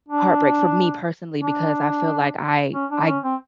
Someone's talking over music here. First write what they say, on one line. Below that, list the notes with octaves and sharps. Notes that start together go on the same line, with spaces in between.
heartbreak for me personally because I feel like I I g
D4
D4
C#4
D4
C#4
C4